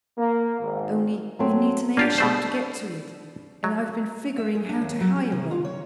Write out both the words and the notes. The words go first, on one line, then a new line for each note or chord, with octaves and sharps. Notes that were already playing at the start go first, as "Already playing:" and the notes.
Only it needs an airship to get to it, and I've been figuring how to hire one.
A#3
G#1
F#3 A3 C4
A#3 D4 F4 G4
B2 A3 C5
F#3
E5
G#4
D4
D#2
F#3
G3
C3
F4
C#5